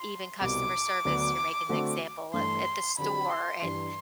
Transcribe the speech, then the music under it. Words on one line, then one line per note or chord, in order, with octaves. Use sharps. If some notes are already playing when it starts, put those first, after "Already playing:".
even customer service, you're making an example of at the store, and
Already playing: C6
C2 B2 G3 C4 D6
D2 D3 F#3 B3
D3 A3 C4 F#4
G2 E3 A3 C6
D3 F#3 C4 G4 B5
C6
G2 E3 G3 C6